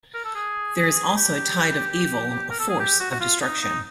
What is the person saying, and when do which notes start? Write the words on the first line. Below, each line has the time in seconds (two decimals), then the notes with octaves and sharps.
There is also a tide of evil, a force of destruction.
0.14 A#4
0.25 A4
0.35 G#4
0.76 G#4
1.17 G4
2.50 A#4
2.59 A4
2.69 G#4
2.79 G4
3.00 F#4
3.11 F#4
3.20 F4
3.41 D#4
3.61 D#4